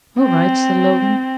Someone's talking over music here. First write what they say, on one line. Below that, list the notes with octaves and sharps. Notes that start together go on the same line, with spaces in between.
"All right," said Logan.
C4